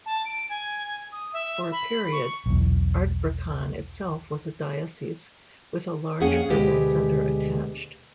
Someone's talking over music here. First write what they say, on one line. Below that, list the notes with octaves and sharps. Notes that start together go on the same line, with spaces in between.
For a period, Ardbraccan itself was a diocese, with a large urban centre attached.
A5
D7
G#5
D#6
E5
B5
C#6
B1 E2
F2 C3 A#3 C#4 G#4 F#5
D2 B2 G#3 G4 B4